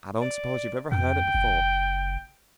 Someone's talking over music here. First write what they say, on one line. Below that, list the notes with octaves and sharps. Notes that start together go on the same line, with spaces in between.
"I don't suppose you ever heard it before."
D5
F2 G5
F#1